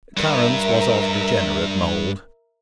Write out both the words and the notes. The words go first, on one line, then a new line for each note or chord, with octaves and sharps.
Clarence was of degenerate mould.
G2 A#4 E5